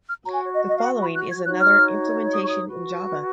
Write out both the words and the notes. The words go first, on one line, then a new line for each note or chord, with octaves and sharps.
The following is another implementation in Java.
F6
F#4 C#5 A#5
G#5
C#5
D#5
D#5
F5
F#5
B5
F#6
G#6
D#4 F#4 C#5 F#6
F6
D#6
C#6
D#6
F#4 B4